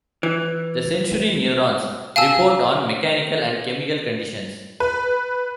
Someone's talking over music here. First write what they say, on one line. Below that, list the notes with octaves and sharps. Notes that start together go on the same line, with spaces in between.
The sensory neurons report on mechanical and chemical conditions.
E3
F5 G#5 A5 E6
B4